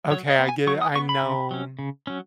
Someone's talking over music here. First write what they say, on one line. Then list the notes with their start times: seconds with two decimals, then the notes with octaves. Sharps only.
"Okay, I get it, I know.
0.11 F#3 C#5
0.30 D#5
0.39 B3
0.49 G#5
0.67 F#3 C#6
0.81 D#6
0.95 B3 C#6
1.09 B5
1.23 C#3
1.51 F#3 C#4
1.79 C#3
2.07 F#3 C#4